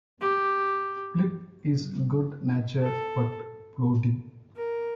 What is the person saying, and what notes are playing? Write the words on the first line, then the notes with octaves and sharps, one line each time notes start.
Philip is good-natured but plodding.
G4
A4
A#4